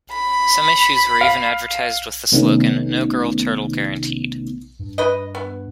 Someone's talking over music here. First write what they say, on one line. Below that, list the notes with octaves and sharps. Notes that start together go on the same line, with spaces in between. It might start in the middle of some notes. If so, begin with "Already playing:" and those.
Some issues were even advertised with the slogan: No girl turtle guaranteed.
B5
F5
C3 D#3 A3 B3 C#4 D#4
G2
B4 D#5
B3